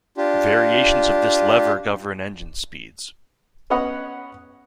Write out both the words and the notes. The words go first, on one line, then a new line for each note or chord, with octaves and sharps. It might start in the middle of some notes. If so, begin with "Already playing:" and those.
Variations of this lever govern engine speeds.
D4 F4 G4
B3 C#4 C#5 D#5 F#5 B5